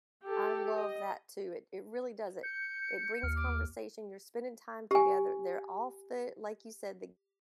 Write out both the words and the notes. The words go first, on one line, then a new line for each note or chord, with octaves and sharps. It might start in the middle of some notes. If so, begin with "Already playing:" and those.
I love that too. It it really does it. It brings conversation, you're spending time together, they're off the like you said, the
G4 A4
D#5
G6 C#7
D#2 F6
D6
G4 G#5